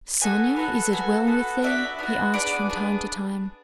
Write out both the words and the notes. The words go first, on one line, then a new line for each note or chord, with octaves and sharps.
"Sonya, is it well with thee?" he asked from time to time.
B3 F#4 A4 G#5
B3 F#4 A4
B3 F#4 A4 G#5
B3 F#4 A4
B3 D4 F#4 E5
B3 D4 F#4
B3 D4 G#4 D5
B3 D4 G#4